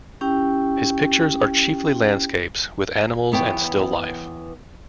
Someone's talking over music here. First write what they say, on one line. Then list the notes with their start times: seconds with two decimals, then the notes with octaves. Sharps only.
His pictures are chiefly landscapes with animals and still life.
0.21 C#4 E4 G4 G5
3.32 E2 B3 C#5 G5